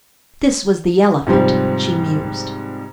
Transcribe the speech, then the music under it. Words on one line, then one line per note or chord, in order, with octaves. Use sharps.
"This was the elephant," she mused.
G#2 C3 F3 G3